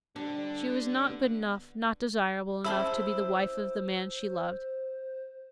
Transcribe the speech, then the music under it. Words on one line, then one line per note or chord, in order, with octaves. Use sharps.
She was not good enough, not desirable enough, to be the wife of the man she loved.
D3 G3 D4
B3
E4 G#4 C5 E5 A5 B5 C6 E6